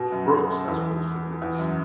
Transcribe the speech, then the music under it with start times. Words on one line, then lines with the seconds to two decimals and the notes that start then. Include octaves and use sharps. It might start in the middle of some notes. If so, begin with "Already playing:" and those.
Brooks has four siblings.
Already playing: B2
0.12 F#2
0.68 E2
1.42 E2
1.59 F#2